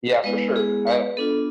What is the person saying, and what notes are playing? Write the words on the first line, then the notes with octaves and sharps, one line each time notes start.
Yeah, for sure. I
G#3 B3 E4 B4
G#4
B4
B3 D4 F4 A4